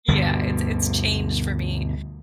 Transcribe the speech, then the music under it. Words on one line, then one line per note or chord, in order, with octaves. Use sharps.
Yeah, it's it's changed for me
D2 G2 B2 D3